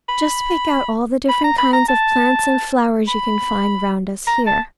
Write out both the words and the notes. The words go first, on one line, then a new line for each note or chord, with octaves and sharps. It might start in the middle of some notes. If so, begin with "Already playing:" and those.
Just pick out all the different kinds of plants and flowers you can find round us here.
B5
B5
A#5
B5
A#5
A5
B5
A#5
A5